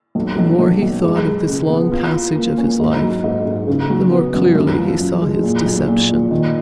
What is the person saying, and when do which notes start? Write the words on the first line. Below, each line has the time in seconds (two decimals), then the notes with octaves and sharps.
The more he thought of this long passage of his life, the more clearly he saw his deception.
0.15 B1
0.38 B1
0.59 B1
0.82 B1
1.04 G#3
1.26 G#3
1.48 C#2
1.70 B3
1.92 F4
2.14 F4
2.36 A#3
2.58 C#4
2.80 G#2
3.02 F#3
3.24 G#2
3.45 G#2
3.68 C#3
3.90 F#3
4.11 B3
4.34 F#2
4.55 F#2
4.78 F3
5.00 F#2
5.22 G#3
5.43 A#2
5.65 B1
5.88 A#2
6.09 A#2
6.31 D#3